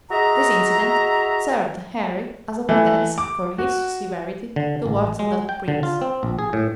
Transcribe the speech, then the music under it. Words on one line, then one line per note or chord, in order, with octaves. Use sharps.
This incident served Henry as a pretence for his severity towards that prince.
F#4 G#4 D#5 E5 A#5
E3 A3
D6
F#4
D3
A1
G#3
G5
D3
F4
C4
A#1
G#4
A2